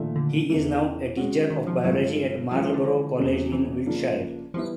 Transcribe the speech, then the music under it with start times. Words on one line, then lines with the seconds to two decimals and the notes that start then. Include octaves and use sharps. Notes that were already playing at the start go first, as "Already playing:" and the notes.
He is now a teacher of Biology at Marlborough College in Wiltshire.
Already playing: A#2 D#3 F3 A3 D4 F4
0.16 D3
0.49 E2 C#3 E3
1.17 G#3 C#4 F#4
1.50 D#3
1.67 F3
1.84 G2 D3 F3 F#3 G#3
2.51 E3 F#3 G#3 C#4 F4
2.62 F3
2.74 D3
2.85 D3
3.18 E2 C#3 F#3 A3 C#4
3.52 E3
3.86 C#3 F3 A#3 D4 F4
4.54 E3 F3 G3 B3 E4